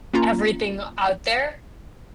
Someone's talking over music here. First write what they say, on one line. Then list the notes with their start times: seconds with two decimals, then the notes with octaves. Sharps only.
everything out there.
0.14 A#3 C#4 F4 A#5